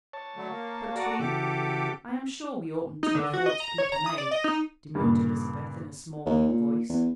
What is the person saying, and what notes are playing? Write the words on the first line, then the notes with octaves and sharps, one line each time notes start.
"But we--I am sure we oughtn't to afford to keep a maid," demurred Elizabeth in a small, weak voice.
C#5 A5
D3 F#3 A3
A#3
F#4 A4 D5 A5 A#5
C#3 E3 F#4 G4 A4 D6
D#4
D3
F#4
D#5
A#5
C#5
A#5
D#6
D5
D#5
D#4
G2 A#2 C#3
D#2
A#2
E2